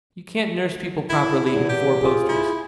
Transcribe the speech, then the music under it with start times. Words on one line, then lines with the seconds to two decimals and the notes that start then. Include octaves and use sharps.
You can't nurse people properly in four-posters.
1.09 E4
1.46 E2 E4
1.69 G4
2.02 F4 G#4
2.29 E4